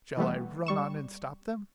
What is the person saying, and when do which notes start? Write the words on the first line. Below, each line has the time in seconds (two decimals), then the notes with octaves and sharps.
"Shall I run on and stop them?"
0.17 E3 G3 A3 B3
0.66 G3 C#6 E7